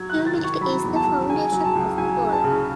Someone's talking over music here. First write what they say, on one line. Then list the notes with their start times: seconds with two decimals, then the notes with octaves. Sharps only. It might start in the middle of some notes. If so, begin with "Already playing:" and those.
Humility is the foundation of all.
Already playing: F#3 G#6
0.10 F#6
0.15 D#3
0.27 A6
0.39 D#3
0.44 C#6
0.61 F#3 B5
0.84 E2
0.96 A5
1.07 F#3
1.30 C#3 G#5
1.52 F#3
1.64 A5
1.75 C#2
1.98 F#3 G#5
2.21 C#3
2.32 A5
2.44 C#3